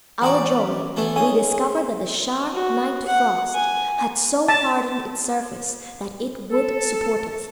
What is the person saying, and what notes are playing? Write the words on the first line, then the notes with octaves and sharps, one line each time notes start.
To our joy we discovered that the sharp night frost had so hardened its surface that it would support us.
E3 F#4 D5 F#5 G5 A#5
C#4
E3 A3 B3
C#3 D#4 C5 G#5 D#6
F#4
F#5
G#5
A5
A4